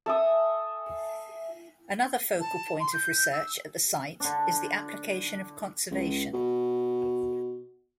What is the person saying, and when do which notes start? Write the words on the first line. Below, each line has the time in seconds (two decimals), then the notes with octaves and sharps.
Another focal point of research at the site is the application of conservation.
0.06 A4 E5 G#5 D#6
2.40 A5
2.80 C6
2.93 G6
3.33 E6
4.20 D3 D4
5.91 C#2
6.34 B2